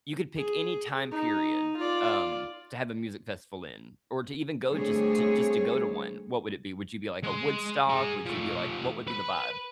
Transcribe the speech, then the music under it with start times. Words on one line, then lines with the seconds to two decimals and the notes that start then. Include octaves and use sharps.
you could pick any time period, um, to have a music festival in or to even go just just to go to one, what would it be? Would you be like a Woodstock? Would you be like what would be the vibe?
0.36 G#4
1.12 D#4
1.77 F4 D5
4.68 D3 G3 A3 C4 G#4 C#5
7.24 G#3 C6
7.90 G#4 A#5
8.26 F3 A3
9.08 B4 B5